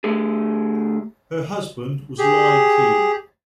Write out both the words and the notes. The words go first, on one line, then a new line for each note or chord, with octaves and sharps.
Her husband was Li Qi.
D3 A3 G4 G#4
G4 G#4